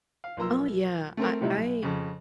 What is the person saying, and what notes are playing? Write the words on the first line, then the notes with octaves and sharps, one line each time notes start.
Oh, yeah, I I
F5
B1 F3 A#3 A#5 C6 E6
A3 C4 A#4
A2 C3 G3 D#4 E4
B1
F2 C#3